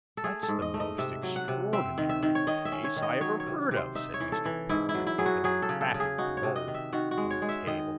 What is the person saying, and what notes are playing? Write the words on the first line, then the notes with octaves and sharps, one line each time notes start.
'That's the most extraordinary case I ever heard of,' said Mr. Pickwick, with an emphatic blow on the table.
A4
A3 G#4
A4
G#2
D#5
A3
D#5
C3 E5
F#3
F#5
C3
C4 E5
D#3
E5
D#3
C#5
D#3 D#5
E5
C#4
C#5
D#3
D#5
F#3 C#5
C#5
C3
C3
C5
D#4 E5
C#5
E3
A4
E3
G#2 E4
E4
F#3
E4
F#3 G#4
F#4
F#3 G#4
A4
C#3
A4
C#3
G#4
D#4 F#4
C#5
C3
D#5
D#3
E5
D#3 F#4
F#4
G#3
C#5
G#3
E5
D#3 D#5